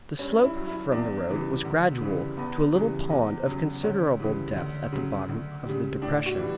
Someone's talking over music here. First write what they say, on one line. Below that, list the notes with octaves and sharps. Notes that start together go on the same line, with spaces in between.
The slope from the road was gradual to a little pond of considerable depth at the bottom of the depression.
G2 C#4
E4
F#3
E4
E2 D4
C#3 E3 G3
D2
C#3 E3 G3
E2 B3
C#3 E3 G3
E2
C#3 F#3
D2 C#4
C#3 E3 G3
D2
C#3 F#3
D2
C#3 G3
A2 D4
F#4
E3 G3